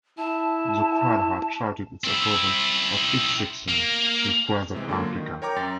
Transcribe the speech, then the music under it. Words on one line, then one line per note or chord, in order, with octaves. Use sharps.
The crowd had shouted its approval of each section with cries of Afrika!
E4 A5
C4 E4
A#3
C3 E3 G#3
D3 F#3 A#3 F4
D#3
A#4 C#5 G5 A#5 D6
F#2 A6